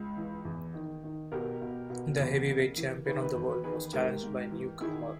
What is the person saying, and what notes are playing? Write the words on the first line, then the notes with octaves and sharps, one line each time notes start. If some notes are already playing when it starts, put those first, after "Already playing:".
The heavyweight champion of the world was challenged by a newcomer.
Already playing: C#2
E3
E2
D#3
D#3
B2 G4 A#4
B2
B2
E2
C#3
E3
D#3 B4
B4
E2 B4
B4
D#3 G#4 B4
G#2 G4 A#4
G#2
E3
D#3 E4 G#4